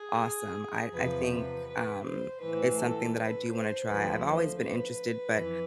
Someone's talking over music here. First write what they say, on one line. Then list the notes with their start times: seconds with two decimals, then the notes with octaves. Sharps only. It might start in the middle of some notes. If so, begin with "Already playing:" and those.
awesome. I I think, um, it's something that I do wanna try. I've always been interested, but
Already playing: G#4
0.93 E2 C3 F3 B4
1.30 B4
1.66 B4
2.04 C5
2.41 A2 E3 B4
2.78 A4
3.14 B4
3.50 C5
3.88 D2 D3 F3 B4
4.24 C5
4.61 B4
5.34 F2 E3